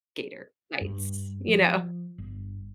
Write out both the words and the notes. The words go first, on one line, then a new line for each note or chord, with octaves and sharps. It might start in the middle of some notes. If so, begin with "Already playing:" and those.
gator bites, you know?
G2
F3
G1